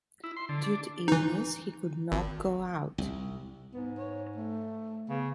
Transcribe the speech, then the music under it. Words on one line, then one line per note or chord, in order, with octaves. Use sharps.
Due to illness, he could not go out.
E4
C6
D3
D4
E3 D#4
G#1
C2
G#2 B3
C#5
A3
C#3 B3